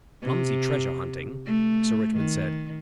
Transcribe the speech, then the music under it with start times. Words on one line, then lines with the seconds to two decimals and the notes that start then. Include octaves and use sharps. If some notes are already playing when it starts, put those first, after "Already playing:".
"Clumsy treasure hunting," Sir Richmond said.
0.22 C3
1.45 A3
2.17 D#3